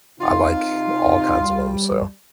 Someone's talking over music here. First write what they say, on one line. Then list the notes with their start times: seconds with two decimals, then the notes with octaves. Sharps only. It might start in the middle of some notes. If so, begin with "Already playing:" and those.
I like all kinds of 'em, so,
0.20 C3 D#4 F4
1.41 G3